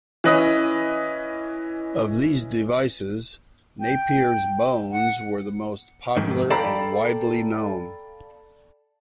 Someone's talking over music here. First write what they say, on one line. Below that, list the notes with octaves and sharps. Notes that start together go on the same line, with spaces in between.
Of these devices, Napier's bones were the most popular and widely known.
E3 C#4 B4 D#5 D#6
G5
F#5
F2 G#2 D#3
A4 D5 F5 G5 A#5 B5